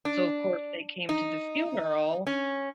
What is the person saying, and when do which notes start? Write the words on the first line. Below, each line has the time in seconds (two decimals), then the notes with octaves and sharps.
so of course they came to the funeral
0.05 D4
1.09 D#4
2.27 C#4